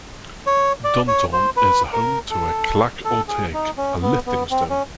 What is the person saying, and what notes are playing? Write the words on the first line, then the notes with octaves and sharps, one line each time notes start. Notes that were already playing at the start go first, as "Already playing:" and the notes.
Duntulm is home to a clach-ultaich, a lifting stone.
C#5
D5
C#5
C5
B4
A#4
A4
A4
G#4
D#4
C#4
B3
B3
C4
C#4